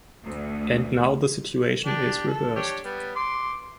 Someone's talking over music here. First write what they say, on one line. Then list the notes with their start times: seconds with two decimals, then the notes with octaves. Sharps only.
And now the situation is reversed.
0.24 D2
1.86 D4 G4
2.28 A4
2.56 D4 G4 C#5
2.85 G3 B3
3.16 C6 D6